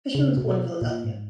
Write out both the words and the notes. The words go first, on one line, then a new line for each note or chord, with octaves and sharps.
Fishman was born in Philadelphia.
C#3
B2
A#2
G#2